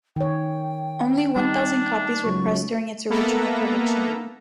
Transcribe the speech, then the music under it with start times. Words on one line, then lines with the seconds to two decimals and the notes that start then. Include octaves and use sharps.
Only one thousand copies were pressed during its original production run.
0.16 D#3 C#5 G5
1.36 G3 D4 D#4
2.24 C#2 F#3 C#6
3.10 A#3 B3 A4 B4 E5 A#5